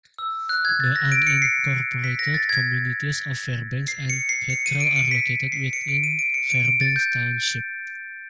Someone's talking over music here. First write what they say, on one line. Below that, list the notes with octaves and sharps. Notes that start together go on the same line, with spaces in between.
The unincorporated communities of Fairbanks and Petrel are located within Fairbanks Township.
E6
F#6
G#6
A6
A#6
D7
C#7
C7
B6
A#6
A6
G#6
C7
C#7
C7
C#7
D#7
D7
C#7
B6
C7
C#7
D7
D#7
D7
C#7
D7
D7
A6
G6